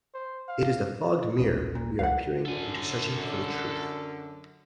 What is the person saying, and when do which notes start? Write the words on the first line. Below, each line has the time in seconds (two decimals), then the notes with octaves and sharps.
It is the fogged mirror we are peering into searching for the truth.
0.14 C5
0.48 F5
1.39 D#1 A#1 C#4
1.75 A#2
1.99 C#2 F5 F#5
2.46 F#2 D3 A4 G#5